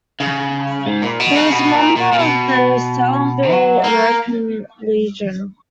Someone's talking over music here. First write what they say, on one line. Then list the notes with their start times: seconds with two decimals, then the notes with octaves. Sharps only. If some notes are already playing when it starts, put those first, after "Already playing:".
He was a member of the Salineville American Legion.
0.20 C#3
0.86 G#2
1.02 A#2
1.20 B2
1.35 C#3
1.52 B2
1.74 A#2
1.96 A#2
2.13 A#2
2.19 B2
3.51 F#3
3.84 A#3